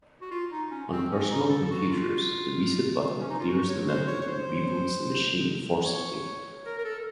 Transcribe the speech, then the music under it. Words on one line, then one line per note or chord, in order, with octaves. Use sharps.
On personal computers, the reset button clears the memory and reboots the machine forcibly.
F#4
F4
D#4
C#4
C4
C#4
D#4
A4
A4
F#4
F4
C#4
D#4
F4
F#4
C#5
C5
C#5
C#5
C5
C#5
A#4
A#4
A4